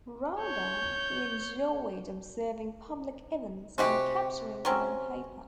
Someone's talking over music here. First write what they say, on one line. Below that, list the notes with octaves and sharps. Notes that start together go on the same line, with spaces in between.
Rather, he enjoyed observing public events and capturing them on paper.
C#5 G6
C3 G#3 F#4 G4 F#5
F#3 C4 C#4